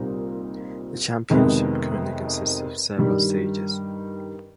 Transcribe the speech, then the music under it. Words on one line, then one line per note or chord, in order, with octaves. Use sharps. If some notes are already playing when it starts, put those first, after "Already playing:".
The Championship currently consists of several stages.
Already playing: C2 A#2 G3 C4 D#4
F2 C3 D#3 G#3 B3
G2 D#3 G3